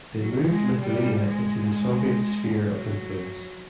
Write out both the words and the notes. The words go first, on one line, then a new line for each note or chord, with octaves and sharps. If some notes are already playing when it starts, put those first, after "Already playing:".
They moved Lithuania into the Soviet sphere of influence.
F#3
G#3
G3
G#3
F#3